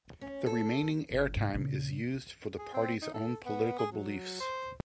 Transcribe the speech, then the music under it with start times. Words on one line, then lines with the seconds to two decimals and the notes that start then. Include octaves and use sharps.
The remaining airtime is used for the party's own political beliefs.
0.21 C#4
0.46 A4
1.11 G1
1.36 G#2 C3
1.54 A#2 C#3
2.58 G#4
2.74 C4
3.02 D#4
3.14 A4
3.46 B3
3.79 G#4
3.92 F#3
4.40 C5